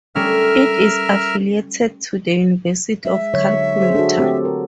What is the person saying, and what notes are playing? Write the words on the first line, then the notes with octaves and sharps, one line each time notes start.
It is affiliated to the University of Calcutta.
G3 A3 C#4 A#4 E5 F6
G#3 E5
D3 F#3 C#5
G#4 C5
D4 F#4 A4
A3 C4 G4
A#4